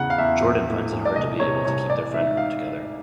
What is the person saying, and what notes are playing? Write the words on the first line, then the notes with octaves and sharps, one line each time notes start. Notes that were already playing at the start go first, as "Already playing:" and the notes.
Jordan finds it hard to be able to keep their friend group together.
Already playing: E2 C#3 F#5
F5
E2 E5
A#1
A2
A#1
D5
C2 D#5
C3 C#5
C2 C#5
A1 D5
G#2 E5
F5